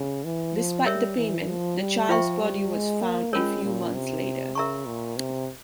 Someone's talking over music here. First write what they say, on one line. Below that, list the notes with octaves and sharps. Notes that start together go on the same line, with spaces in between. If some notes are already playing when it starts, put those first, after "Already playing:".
Despite the payment, the child's body was found a few months later.
Already playing: C#3
E3
F3
G3 A#4 C#5 E5
E3
F3
G3
F3 F4 C5 E5 G5 C#6
G3
G#3
A#3
G#3 C#4 F4 A#4 C#5
A#2
C3
C#3 A#4 E5 A#5 C#6
A#2
C3